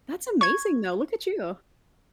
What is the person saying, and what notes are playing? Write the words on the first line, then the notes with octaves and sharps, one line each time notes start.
That's amazing, though. Look at you.
C#6 G#6